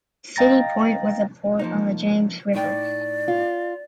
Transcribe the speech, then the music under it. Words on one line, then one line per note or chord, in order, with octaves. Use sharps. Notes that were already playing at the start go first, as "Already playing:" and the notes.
City Point was a port on the James River.
D#5 F5 G5 A#5 A6 A#6
F3 A#3 D#4
A2 D#4 D5 G5
F4